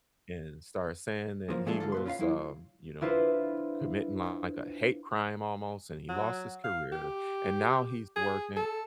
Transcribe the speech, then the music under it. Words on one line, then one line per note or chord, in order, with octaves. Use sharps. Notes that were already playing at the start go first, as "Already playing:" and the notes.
and started saying that he was, um, you know, p committing, like, a hate crime almost, and he lost his career and now he's working
F#2 F3 A#3
F3 G#3 A3 D4 G#4 A4
D3 G#3 F4 A4
A#2 B4 C6
C#4 F4 B4 F5
F#3 E4 F4
D4 E4 F4 B4 C5
F#3
F5
G4
G#4
A4